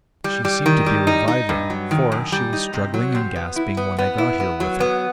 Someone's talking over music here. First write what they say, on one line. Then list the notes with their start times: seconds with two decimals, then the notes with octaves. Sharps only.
She seemed to be reviving, for she was struggling and gasping when I got here with her.
0.24 G3
0.45 G3
0.66 D#3
0.86 G3
1.07 D#4
1.28 D#4
1.49 G2
1.70 F#3
1.91 D#3
2.12 F#2
2.32 G3
2.53 D#4
2.74 C3
2.94 F#3
3.15 C3
3.36 B3
3.56 E4
3.77 B3
3.98 B3
4.18 E4
4.40 B3
4.60 F#3
4.80 B3